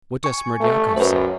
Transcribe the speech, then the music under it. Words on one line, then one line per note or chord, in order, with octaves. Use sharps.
What does Smerdyakov say?
G#5 C#6
A3
F#2 B4 C5